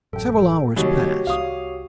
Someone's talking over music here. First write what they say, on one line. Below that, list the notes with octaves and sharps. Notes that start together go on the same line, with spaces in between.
Several hours passed.
A1 F#2 A4 G5
D#2 C3 F#3 G3 F#4 G4 C#5
C2 F5 D#6